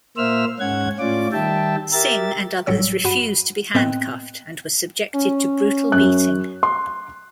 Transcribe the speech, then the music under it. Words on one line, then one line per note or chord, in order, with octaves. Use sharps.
Singh and others refused to be handcuffed and were subjected to brutal beating.
A#2 A#3 C5 E5 E6 F6
G#2 C#4 F#5 G#6
A2 C#4 F4 D5 D6
D#3 G3 E5 G5 A5
G4 A#4 E5 A6
G#1 A2 F#3 G3 C#5 E6
G2 F#4 F#5 B5 D#7
A2 B3 C4 D#5 G5 F#6
C#4
F#2 F#6
C6